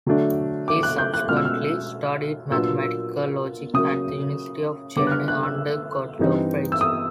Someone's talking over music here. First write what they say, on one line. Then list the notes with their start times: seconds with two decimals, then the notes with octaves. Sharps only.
He subsequently studied mathematical logic at the University of Jena under Gottlob Frege.
0.06 D3 F#3 A3 D4
0.68 D6
0.83 F#6
0.98 G6
1.14 F#6
1.28 B2 G#3 C#4 F4 F6
1.37 E6
1.45 F6
2.51 A#2 F#3 B3 D4 F4 E6
3.74 C#3 F#3 A#3 D#6
4.96 D3 G3 B3 D4 D6
5.07 F#6
5.12 F6
5.28 F#6
5.43 E6
6.19 G2 E3 G3 C4 D#4
6.72 E6
6.81 D#6